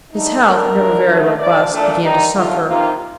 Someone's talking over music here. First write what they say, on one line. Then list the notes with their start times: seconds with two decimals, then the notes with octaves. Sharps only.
His health, never very robust, began to suffer.
0.12 D3 A3 D#4
0.44 A2 A3 D4 A#4
0.76 D#2 D3 A3 D4
1.08 G2 D3 A3
1.40 D2 C3 F3 D5
1.71 A#2 A3 D4 D5
2.02 D#2 D#3 G3 D#4
2.35 D#2 D3 A3 F4
2.66 C3 D#3 A#3 D#4 F4